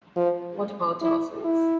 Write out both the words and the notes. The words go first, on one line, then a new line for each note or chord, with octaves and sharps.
What about our souls?
F3
E4
E4